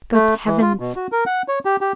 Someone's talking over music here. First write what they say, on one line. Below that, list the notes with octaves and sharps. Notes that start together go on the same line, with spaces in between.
Good Heavens!
A3
E3
F4
B2
F#4
A#4
F#5
C#5
G4
G4